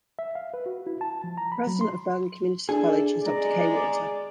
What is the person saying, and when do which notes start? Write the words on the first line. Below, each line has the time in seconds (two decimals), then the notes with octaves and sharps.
The president of Bergen Community College is Doctor Kaye Walter.
0.19 E5
0.35 F5
0.54 B4
0.66 F#4
0.87 E4
1.01 A5
1.24 F3
1.38 A#5
1.52 B5
1.67 F#3
1.81 C6
2.69 D4 E4 G#4 A4
3.25 G#3 D5 A#5